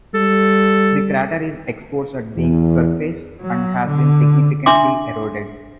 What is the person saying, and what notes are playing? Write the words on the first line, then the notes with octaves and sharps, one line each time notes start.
The crater is exposed at the surface, and has been significantly eroded.
G3 A4
E2
F#3
D3
D4 E5 C6 D6